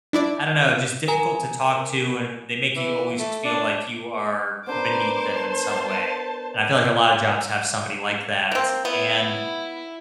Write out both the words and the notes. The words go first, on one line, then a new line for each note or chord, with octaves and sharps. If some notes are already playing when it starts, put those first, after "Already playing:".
I don't know, just difficult to talk to, and they make you always feel like you are beneath them in some way. And I feel like a lotta jobs have somebody like that. And
D4 E4 D5
A#4 G#5 A#5
E3
A3
D4
B3 D4 A#4 C5 D6
A5
A#3 C4
B3 E4